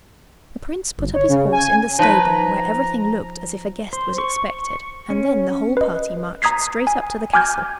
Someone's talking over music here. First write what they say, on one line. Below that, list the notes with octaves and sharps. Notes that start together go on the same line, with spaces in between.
The prince put up his horse in the stable, where everything looked as if a guest was expected, and then the whole party marched straight up to the castle.
G1
C#5
C#3
G#5
F3 D#4 B4 C#5 A#5
C5
C#6
C#4
B4 D#5
A#5 D#6 G#6 B6 C7
G#5
G#5 D6 F6 G6 G#6